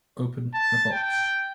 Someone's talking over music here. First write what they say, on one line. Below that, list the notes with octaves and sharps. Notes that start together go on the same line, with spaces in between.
Open the box.
A5
G5